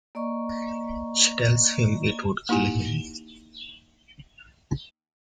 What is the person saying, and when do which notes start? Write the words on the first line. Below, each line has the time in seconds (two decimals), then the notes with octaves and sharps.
She tells him it would kill him.
0.15 A#3 D5 D#5 A#5 C#6
2.49 A#3 D#4 E4 G4 G#5